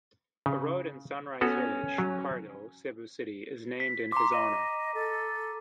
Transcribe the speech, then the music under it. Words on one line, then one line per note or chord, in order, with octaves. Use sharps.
A road in Sunrise Village, Pardo, Cebu City is named in his honor.
C#3
B3 C#4 F#4 A4
F#3
B6
A#5 C6 D6
D#5 D#7
A4